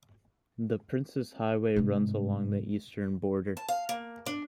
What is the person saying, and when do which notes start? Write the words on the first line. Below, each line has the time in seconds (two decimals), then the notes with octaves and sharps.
The Princes Highway runs along the eastern border.
1.76 G#2 C3
3.57 A5
3.68 F5
3.89 A#3
4.26 D4